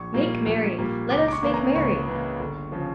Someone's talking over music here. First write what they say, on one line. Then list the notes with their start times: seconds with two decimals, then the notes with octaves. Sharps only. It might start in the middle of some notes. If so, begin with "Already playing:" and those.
Make merry, let us make merry.
Already playing: A#1 C#6
0.14 A#2 G3 A#3
0.46 A#1
0.79 A#2 G3 A#3
1.10 C#2 D6
1.28 D6
1.33 C#6
1.43 C#3 E3 A#3
1.54 A#5
1.76 C#2 C#6
2.07 C#3 E3 A#3
2.40 G1
2.72 C#3 F3